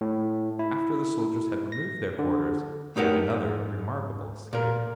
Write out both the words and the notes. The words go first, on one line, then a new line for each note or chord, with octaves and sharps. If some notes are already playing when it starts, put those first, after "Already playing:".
After the soldiers had removed their quarters he had another remarkable escape.
A2
E4
A#6
D3
A3 D#4 G4 A#4 F#5
G#2
A#2 A#4